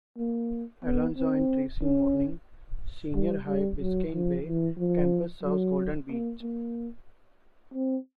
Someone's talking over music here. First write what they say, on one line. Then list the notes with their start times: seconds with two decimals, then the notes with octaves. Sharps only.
Alonzo and Tracy Mourning Senior High Biscayne Bay Campus serves Golden Beach.
0.18 A#3
0.84 B3
1.17 C4
1.82 C#4
3.14 G3
3.46 G3
3.79 F#3
4.12 F3
4.46 E3
4.78 F3
5.43 F#3
6.09 A#3
6.42 A#3
7.74 C4